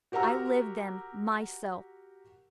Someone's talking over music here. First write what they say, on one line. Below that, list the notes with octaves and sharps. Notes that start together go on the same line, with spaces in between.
I lived them myself.
F#4 G4 A#4 F#5 A#5 E6